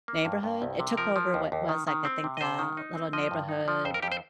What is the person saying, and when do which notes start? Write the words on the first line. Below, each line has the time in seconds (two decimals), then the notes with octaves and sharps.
neighborhood. It took over what was, like, I think, a little neighborhood
0.08 A#3
0.25 G2
0.43 G2
0.62 C2
0.80 C3
0.97 F3 A#4
1.16 F3
1.34 D#2
1.52 D#2
1.69 D#3
1.88 D#3
2.05 C4
2.24 C3
2.37 D#5
2.41 C3 C5
2.59 D#3
2.77 D#4
2.95 C4
3.13 F3 D#5
3.31 G2
3.49 D#4
3.68 F3
3.85 F2 C5
3.94 A#4
4.02 F2 G4
4.12 C5